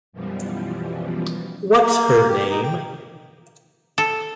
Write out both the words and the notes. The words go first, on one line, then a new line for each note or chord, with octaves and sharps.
What's her name?
F#2 B2 E3 F3 G3
A#3
G4
D#4
G5
A4